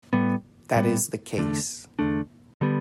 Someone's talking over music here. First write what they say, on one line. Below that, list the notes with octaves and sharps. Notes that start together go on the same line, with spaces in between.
That is the case.
A2 G3 B3
A2 G3 B3
E2 D3 A3 D4
E2 D3 A3 D4
D3 G3 B3